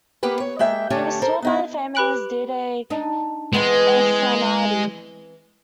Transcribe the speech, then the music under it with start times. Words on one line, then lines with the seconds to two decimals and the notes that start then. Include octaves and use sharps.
He was taught by the famous Dede Efendi.
0.23 A#3 B3 G4 B4
0.40 C#5
0.59 G#3 A#3 E5 G5
0.90 D3 A3 C#4 G4 A4
1.22 A4 A#4 C5
1.42 B3 D#4 E4
1.95 G4 B4 B5 F#6 D7 F#7
2.90 D4 D#4
3.53 E3 G#3 B3 C4